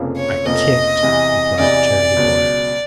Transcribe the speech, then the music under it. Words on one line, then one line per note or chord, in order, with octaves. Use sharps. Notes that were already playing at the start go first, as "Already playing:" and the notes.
'I kicked,' replied the charity-boy.
Already playing: F1 F2 C#3 F3 A#3
C#5
F1 F2 C#3 F3 A#3 D#5
E2 C3 E3
E2 C3 E3 D5
C#2 B2 F#3